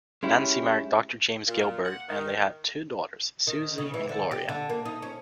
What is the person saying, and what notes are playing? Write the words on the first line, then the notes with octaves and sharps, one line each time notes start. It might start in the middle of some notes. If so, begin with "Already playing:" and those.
Nancy married Doctor James Gilbert and they had two daughters, Susie and Gloria.
G#3 C#4 E4 G4
A#2
F#5
D#3
D#3
C#3
E3
D3
G4
D3
A#3
D#4
C#4